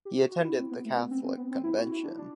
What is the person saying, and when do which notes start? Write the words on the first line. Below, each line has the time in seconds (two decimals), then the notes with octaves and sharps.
He attended the Catholic Convention.
0.05 G4
0.19 F#4
0.31 F#4
0.44 E4
0.58 C4
0.71 B3
0.85 A3
0.97 B3
1.11 C4
1.24 C4
1.37 B3
1.51 C4
1.63 E4
1.77 F#4
1.91 E4
2.03 D4
2.18 D4